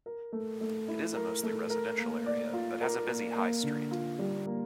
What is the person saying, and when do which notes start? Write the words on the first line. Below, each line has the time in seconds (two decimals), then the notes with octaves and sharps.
It is a mostly residential area, but has a busy high street.
0.06 A#4
0.32 A3
0.61 A3
0.88 E4
1.16 A#4
1.43 A3
1.70 A#4
1.99 A#3
2.26 D5
2.53 F4
2.81 A#4
3.08 A#3
3.36 A#3
3.63 D3
3.91 F4
4.19 G3
4.46 A#3